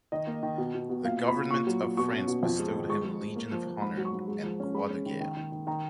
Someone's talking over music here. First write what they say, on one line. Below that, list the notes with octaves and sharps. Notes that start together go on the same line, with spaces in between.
The Government of France bestowed him Legion of Honour and Croix de Guerre.
D#3 D#5
A#3
D#3
B2
B2
B2
A#2 F5
A#2
B5
A#2
A#2 C#6
F#3
A#2
B2 C#6
C#4
B2
F2
G#3
D#3
G#3 C#6
G#3
G#3
A#3
F3
F3
G#2 B5
F#3
C#6
G#2
G#3
F3
C#4
G#3 B5
C#4
D#3
D#3
D#3
D#3
D#3 A#5